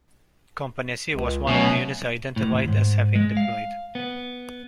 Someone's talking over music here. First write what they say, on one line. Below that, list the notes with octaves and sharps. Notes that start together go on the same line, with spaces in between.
Company C was one of the units identified as having deployed.
C#2
B2 F#3 A3 C#4
A2
D#2
G#2
G#3
F5
B3